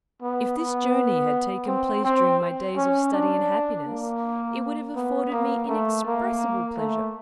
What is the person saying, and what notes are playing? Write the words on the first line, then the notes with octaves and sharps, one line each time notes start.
If this journey had taken place during my days of study and happiness, it would have afforded me inexpressible pleasure.
B3
B3
C4
C4
C#4
D4
A#3
B3
A#3
A3
A#3
A3